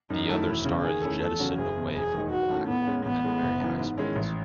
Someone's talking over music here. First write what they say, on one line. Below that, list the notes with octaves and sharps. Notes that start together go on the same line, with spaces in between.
The other star is jettisoned away from the black hole at very high speeds.
F#2 D#4
D#3 A3 E4
E1 E4
E2 C#3
D#3 G#4
A3 C#4 E4 A4
E2 A4
C#3 F#3 C#4 F#4
F#1 G#4
E2 B2
E1 G#4
D#2 D#3 G#3 D#4
G#2 F#4
D#3 A3 C#4 E4
A2 B3
G#3 C#4
A1 B3
A2 G#3
F#1
F#2 E3
G#2
D#3 G#3 C#4 E4
A1